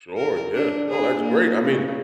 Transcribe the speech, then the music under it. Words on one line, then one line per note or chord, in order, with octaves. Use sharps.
Sure, yeah, no, that's great, I mean,
A#4
D4
G#4
A#3
C#3